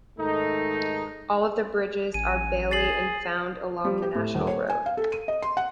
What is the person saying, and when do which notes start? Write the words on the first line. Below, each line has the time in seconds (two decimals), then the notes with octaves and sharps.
All of the bridges are bailey and found along the national road.
0.18 G#2 D#3 A3 D#4
2.14 A1 G#5 D#7
2.71 G#4 A6 C7 F#7
3.85 G3
4.02 G4
4.15 A2
4.35 D#1
4.47 C#5
4.70 G#5
4.86 F5
4.97 A4
5.12 D#7
5.28 D#5
5.42 C6
5.57 F#5